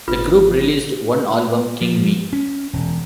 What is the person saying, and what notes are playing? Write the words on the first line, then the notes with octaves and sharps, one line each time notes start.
The group released one album, "King Me".
G#1 F4 B4
F3
C#4
E1